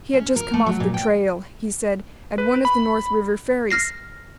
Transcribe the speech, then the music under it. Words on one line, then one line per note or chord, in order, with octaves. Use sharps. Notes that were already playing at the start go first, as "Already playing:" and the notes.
He had just come off the "trail," he said, at one of the North River ferries.
C#4
A#4
A3
F#3
A#2
G5
B4
B5
F6 A#6 C7